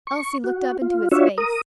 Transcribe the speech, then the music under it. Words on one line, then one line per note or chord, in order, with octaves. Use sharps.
Elsie looked up into his face.
C#6
F#4
F4
D4 F4 F#4 C#5 E5
A#4 D#6